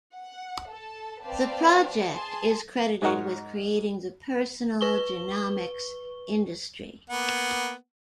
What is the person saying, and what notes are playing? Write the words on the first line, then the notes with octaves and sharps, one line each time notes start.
The project is credited with creating the personal genomics industry.
F#5
A4 A5
C4 B4 D5 F5 G5 A5
G#4 A5 C6
G#2 G#3 D#4 A#4 F#5 C#6
B4 C#6 G7
A#3 B3 F#5